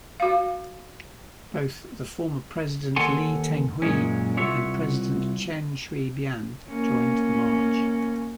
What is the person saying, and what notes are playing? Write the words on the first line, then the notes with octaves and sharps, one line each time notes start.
Both the former President Lee Teng-hui and President Chen Shui-bian joined the march.
F#4 F5
D#2 A4 F#5 G#5 C6
F#2 A#2 G#3 C#4
C2 F4 F#4 C#5 E5
A#3 C#4